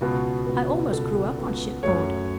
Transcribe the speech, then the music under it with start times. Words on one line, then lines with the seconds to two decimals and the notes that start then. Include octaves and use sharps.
I almost grew up on shipboard.
0.01 C#2 B2 B3 F#4
0.46 C#2 B2 B3
0.92 C#2 B2 B3 A4
1.38 C#2 B2 B3
1.83 F#2 F#3 A3 C#5